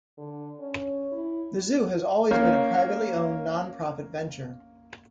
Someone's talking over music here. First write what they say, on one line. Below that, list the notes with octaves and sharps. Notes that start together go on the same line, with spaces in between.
The zoo has always been a privately owned, non-profit venture.
D3
C#4
E4
A#3 C#4